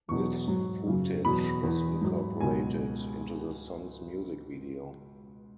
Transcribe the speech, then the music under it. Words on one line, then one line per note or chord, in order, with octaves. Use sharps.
This footage was incorporated into the song's music video.
E2 B2 F#3 C#6
G#2 F#3
F#2 C#3 F#3
E2 B2 F#3 B5
E2 E3
G#2 F#3
C#2 B2 F#3 G#5